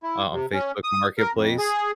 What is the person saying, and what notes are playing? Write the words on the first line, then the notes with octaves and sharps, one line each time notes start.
uh, on Facebook Marketplace,
E4
C3
C#4
D#6
A#4
F2
G#4